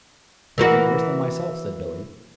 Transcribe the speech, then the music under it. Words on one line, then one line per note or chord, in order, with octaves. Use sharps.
"Nothing worse than myself," said Billy.
E3 A#3 F#4